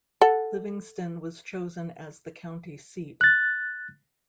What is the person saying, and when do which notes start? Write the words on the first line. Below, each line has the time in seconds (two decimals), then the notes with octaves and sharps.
Livingston was chosen as the county seat.
0.21 A4 F#5
3.21 F#6 A6